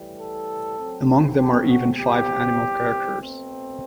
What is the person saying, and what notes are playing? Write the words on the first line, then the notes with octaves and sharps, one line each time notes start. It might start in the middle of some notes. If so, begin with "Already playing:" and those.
Among them are even five animal characters.
Already playing: A2 E3 G3
A4
F#2 F#3 A3 C4
G4
F#4
E2 C3 G3 C4 G4
B2 A3 C4